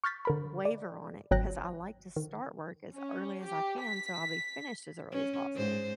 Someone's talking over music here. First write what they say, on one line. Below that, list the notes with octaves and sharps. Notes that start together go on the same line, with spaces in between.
waiver on it 'cause I like to start work as early as I can, so I'll be finished as early as possible.
C#6 F6 G6 A6 B6
D3 A#4 B5
D5
G#1 F#3 G5 F#6 A#6
D#3
C#4
G4
B6
C#4
G#2 C5